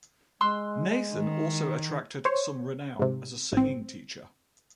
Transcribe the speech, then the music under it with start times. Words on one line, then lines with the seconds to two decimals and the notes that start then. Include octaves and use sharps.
Nathan also attracted some renown as a singing teacher.
0.41 G#3 C6 E6 F#6
1.14 D#3
2.25 C5 C#5
2.99 G#2 C3
3.53 G#1 C4